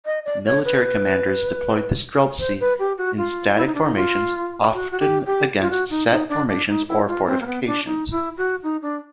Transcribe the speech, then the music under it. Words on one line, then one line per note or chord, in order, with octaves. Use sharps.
Military commanders deployed the streltsy in static formations, often against set formations or fortifications.
D#5
D5
C#5
B4
C5
B4
G4
F#4
F4
E4
D#4
D4
D#4
F4
F#4
F#4
G4
G4
F4
F#4
D#4
D#4
D4
D4
D#4
E4
F4
C4
A#3
B3
D4
D#4
E4
F#4
D#4
D4